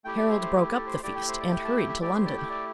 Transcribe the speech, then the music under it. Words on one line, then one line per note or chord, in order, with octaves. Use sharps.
Harold broke up the feast and hurried to London.
A3 E4 G4 G5
D5
C5
C5
A4
C5
A3 E4 G4 D5
G5
C5
D5
G5
A5
G5
E5
A3 E4 G4 D5
C5
D5
G5
D5